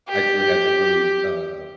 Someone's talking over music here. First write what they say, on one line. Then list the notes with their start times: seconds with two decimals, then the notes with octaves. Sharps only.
I actually had to really, um,
0.09 G4